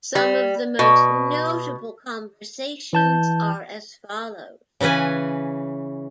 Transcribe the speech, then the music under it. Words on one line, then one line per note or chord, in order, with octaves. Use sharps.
Some of the most notable conversations are as follows.
G3
B2
E3 A5 G6
C#3 E3 C#4 B4 G#5